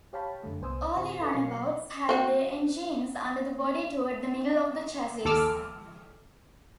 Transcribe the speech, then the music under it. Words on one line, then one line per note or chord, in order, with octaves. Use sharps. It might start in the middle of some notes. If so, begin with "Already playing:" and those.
Early runabouts had their engines under the body toward the middle of the chassis.
G4 C#5 F5 G5 A5 B5
F#2 D3 A3
C2 B3 C5 G#5 D#6 E6
D2 A2 C4 F4 G#5 C#6
A4 B4 D5 D#5 A#5 B5
B2 F#3 A#4 F5 C7 C#7
C4 F#4
D#2 A4 D6 E6 F6